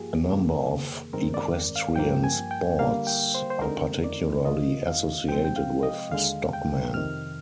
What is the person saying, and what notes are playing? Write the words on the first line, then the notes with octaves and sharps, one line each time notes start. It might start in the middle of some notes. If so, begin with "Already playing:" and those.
A number of equestrian sports are particularly associated with stockmen.
Already playing: G2 F3 A#3 F4 G4 G#4
F2 C3 D#3 A#3
G2 D#3 G#3 C4 A#4
D5
F5
G2 F3 A#3 G5
G#5
G5
D3 G3 A#3 F5
G5
C5
C5
D3 G#3 C4 D#4 A#4
D5
D#2 D#3 A#3 D4 F4 D#5
F5
C3 F3 G#3 C4 G5
G5
F5
D#5
D#2 D3 G#3 F5
G5
F2 C3 D#3 F6